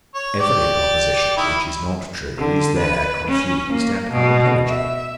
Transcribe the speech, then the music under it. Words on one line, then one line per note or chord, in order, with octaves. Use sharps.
Every proposition, which is not true, is there confused and unintelligible.
C#5
G4 D5
D#3 E4
D3
B4
C#4
A#3
B2
E5